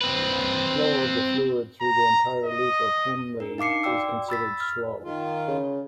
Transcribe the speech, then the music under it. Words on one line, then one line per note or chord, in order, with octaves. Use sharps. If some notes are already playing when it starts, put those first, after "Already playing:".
Flow of the fluid through the entire loop of Henle is considered slow.
C4 B4
A#5
D#5
D4 A#4
D#4 F5 D6 C7 C#7
F#4 D5 G5 D6 E6
B5 E6 A6 B6
F6
D#3 F4
C#3